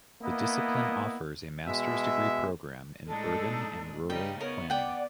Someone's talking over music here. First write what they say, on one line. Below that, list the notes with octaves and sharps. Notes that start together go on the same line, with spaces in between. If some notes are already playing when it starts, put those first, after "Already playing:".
The discipline offers a master's degree programme in urban and rural planning.
A#3 B3 E4 D#5
B2 G#3 E5
A2 G#3 D4 D#4 A4
C#3 G3 D#4 G5
B3 A#4 C#5
D5 F#5 G5